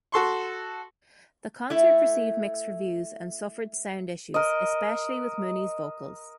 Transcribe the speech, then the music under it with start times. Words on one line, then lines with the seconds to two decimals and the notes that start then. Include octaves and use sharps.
The concert received mixed reviews and suffered sound issues, especially with Mooney's vocals.
0.12 F#4 A4 C6 C#6
1.70 A3 E4 E5
4.34 A#4 D#5